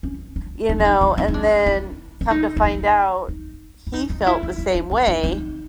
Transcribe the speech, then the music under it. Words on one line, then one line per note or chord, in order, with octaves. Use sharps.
you know? And then come to find out, he felt the same way,
C#4
D4
D#4
E4
D#4
E4
D#4
D#4
D4
E4
D4
D#4
E4
D#4
D#4
E4
D#4
D#4
D#4
E4
D#4
E4
D#4
D4
D#4
D#4